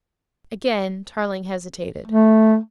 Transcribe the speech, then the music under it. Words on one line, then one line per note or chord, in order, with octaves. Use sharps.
Again Tarling hesitated.
A3